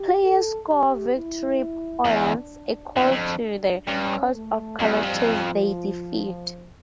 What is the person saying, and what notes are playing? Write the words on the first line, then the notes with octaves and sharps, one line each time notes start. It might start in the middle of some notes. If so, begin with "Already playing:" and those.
Players score victory points equal to the cost of characters they defeat.
Already playing: G4
A4
G4
E4
E2 D4
F2
E2
F2
G2 C#4
A3
F2 G3
E2
F2
F3